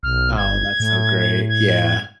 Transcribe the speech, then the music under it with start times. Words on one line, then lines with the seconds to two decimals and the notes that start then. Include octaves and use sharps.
Oh, that's so great. Yeah.
0.03 B1 F6
0.37 G1 G#6
0.80 A2
1.49 G#6